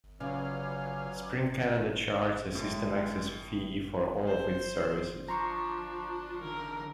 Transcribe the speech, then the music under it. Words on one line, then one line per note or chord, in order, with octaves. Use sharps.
Sprint Canada charged a system access fee for all of its services.
C#3 F#3 C#4 F4 B4 D5 F5 G#5
A2 G#3
C5
F3 D4 A#5 C6 C#6
D3 E3 A#4